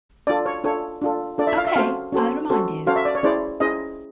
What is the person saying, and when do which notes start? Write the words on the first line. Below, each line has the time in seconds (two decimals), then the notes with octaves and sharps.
Okay, I'll remind you.
0.27 D4 F4 A4 D5
0.46 C#5
0.64 D4 F4 A4 C#5
1.02 D4 F4 A4
1.38 D4 F4 A4 D5
1.47 E5
1.57 F5
1.67 E5
1.76 C#4 F#4 A4 C5 F5
2.12 C#4 F#4 A4 C5
2.50 C#4 F#4 A4 C5
2.87 C#4 F#4 A4 C5 F5
2.96 E5
3.05 D5
3.15 C#5
3.23 C#4 E4 G#4 C5 D5
3.60 C#4 E4 G#4 C5 D#5